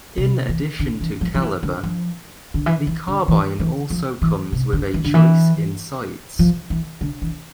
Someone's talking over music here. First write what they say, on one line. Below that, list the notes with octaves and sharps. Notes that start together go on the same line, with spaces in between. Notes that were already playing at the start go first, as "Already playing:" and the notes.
In addition to caliber, the Carbine also comes with a choice in sights.
C3
E3
D3
E3
F3
F3
E3
D3
F3
D3
E3
E3
D3
E3
E3
F3
E3
C3
D3
E3
D3
E3
F3
E3
D3
E3